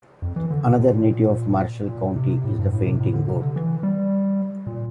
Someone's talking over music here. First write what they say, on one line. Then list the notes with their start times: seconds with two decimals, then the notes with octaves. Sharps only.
Another native of Marshall County is the fainting goat.
0.22 F2
0.36 E3
0.51 D3
0.65 C3
0.79 A#2
1.89 A#2
2.16 C3
2.44 A2
2.59 G2
2.73 A2
2.86 C3
3.00 A2
3.14 D3
3.28 C3
3.42 D3
3.56 E3
3.83 G3
4.67 A#2